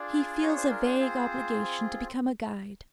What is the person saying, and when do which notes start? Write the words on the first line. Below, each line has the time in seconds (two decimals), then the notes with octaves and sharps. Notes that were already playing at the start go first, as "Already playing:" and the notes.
He feels a vague obligation to become a guide.
Already playing: D4 F4 G#4 D5
0.42 C#5
0.57 C5
0.70 A#4
0.85 C5
0.99 C4 F4 G#4